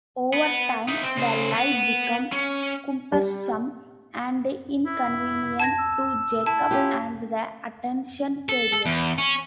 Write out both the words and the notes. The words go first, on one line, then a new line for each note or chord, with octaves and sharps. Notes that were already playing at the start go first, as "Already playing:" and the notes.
Over time, the lie becomes cumbersome and inconvenient to Jacob, and the attention tedious.
B3
D#4 E5
C4
C#3 C5
B3
C#4
G3
E4
A5 G#6 A#6
E6
E4 A5
C#4 F4 G4
A4
A4
E2
C#4